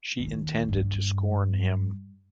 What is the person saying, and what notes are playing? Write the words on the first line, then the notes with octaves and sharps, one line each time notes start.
She intended to scorn him.
D#2
G2